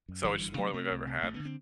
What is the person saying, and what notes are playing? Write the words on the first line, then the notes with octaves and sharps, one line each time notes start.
so it's more than we've ever had,
F#2
G1 E3 G3
D3
C3 F#3 A3
C3 A3 C4
C2
C3
A1 A3
B3
D3
C4